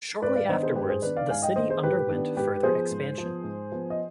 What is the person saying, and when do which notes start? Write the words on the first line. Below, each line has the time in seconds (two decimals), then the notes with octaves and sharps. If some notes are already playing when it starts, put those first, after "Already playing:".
Shortly afterwards, the city underwent further expansion.
0.22 G#2 B4 D5
0.36 D5 F5
0.49 D#3 B3 D4 C5 D#5
0.63 G#4 C5
0.75 G#2 G4 B4
0.89 G#4 C5
1.02 D#3 B3 D4 B4 D5
1.17 D5 F5
1.30 G#2 F5 G#5
1.42 D#5 G5
1.56 D#3 B3 D4 C5 D#5
1.70 G#4 C5
1.83 G#2 G4 B4
2.10 D#3 B3 D4
2.37 G#2 G4 B4
2.63 F3 B3 G#4 C5
2.91 G#2
3.18 F3 B3
3.44 G#2
3.72 F3 B3
3.90 D#5